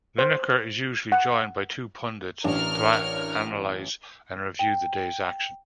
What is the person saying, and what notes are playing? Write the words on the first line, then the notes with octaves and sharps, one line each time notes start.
Lineker is usually joined by two pundits to analyse and review the day's action.
C5
F#5
A1 D4 A#4 C#5 F6
G5